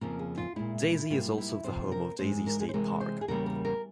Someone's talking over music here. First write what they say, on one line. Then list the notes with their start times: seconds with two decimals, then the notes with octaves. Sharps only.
Daisy is also the home of Daisy State Park.
0.01 F2 C#3 F3 A#3 A#4
0.19 G#4
0.38 F4
0.56 A#2 G#3 E4
0.93 E4
1.10 G#2 G3 A#3 F4
1.38 E4
1.64 F2 C3 F3 C5
1.92 A#4
2.19 G#2 E3 G#3 C5
2.47 A#4
2.60 G#4
2.69 C5
2.74 C3 E3 G#3 A#4
3.01 C5
3.21 G#4
3.28 E2 C#3 G3 A#3 A#4
3.46 A#4
3.65 A#4